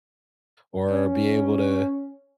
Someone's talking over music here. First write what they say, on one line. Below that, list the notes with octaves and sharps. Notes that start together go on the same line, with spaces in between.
or be able to
C#4